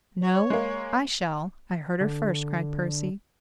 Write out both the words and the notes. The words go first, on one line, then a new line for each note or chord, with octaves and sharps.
"No, I shall--I heard her first!" cried Percy.
C#5
G#3 A#3
D3